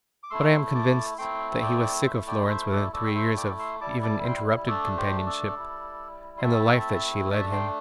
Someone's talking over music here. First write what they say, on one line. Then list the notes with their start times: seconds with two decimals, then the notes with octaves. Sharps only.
But I am convinced that he was sick of Florence within three years of even interrupted companionship and the life that she led him....
0.23 D6
0.30 A3 E4 C6 E6
0.75 A5 D6
1.18 A3 C4 E4 G5 C6
1.62 D5 G5
2.05 A3 E4 C5 E5
2.28 D5 G5
2.49 C5 E5
2.71 A4 D5
2.93 A3 E4 A4 D5
3.07 G5
3.15 C5 E5
3.37 D5 G5
3.59 C6 E6
3.80 G3 E4 A5 D6
4.03 A5 D6
4.24 G5 C6
4.67 A3 D4 A4 D5
4.97 G4 C5
5.26 A4 D5
5.56 G3 E4
6.38 C6
6.42 A3 C4 E4 E5 A5
7.30 A3 D4 E5 A5
7.52 G5 C6